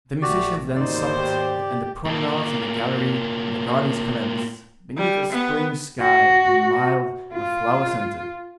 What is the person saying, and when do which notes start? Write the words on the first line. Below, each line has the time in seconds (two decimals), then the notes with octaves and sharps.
The musicians then supped, and the promenades in the gallery and the gardens commenced, beneath a spring sky, mild and flower-scented.
0.22 A#1 A3 F#4 G4 D5
0.76 D#2 G#2 B2 D#4 C5 D5
1.18 G4
2.05 A2 A#3
4.97 G3
5.33 B3
6.01 F#4
7.33 F4